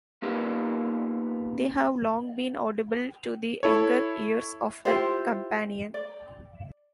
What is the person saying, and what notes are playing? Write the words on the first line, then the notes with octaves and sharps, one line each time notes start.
They have long been audible to the younger ears of her companion.
A#3 B3 D#4 F4 G4 B4
E4 A4 C#5
E4 F4 G4 C5
D5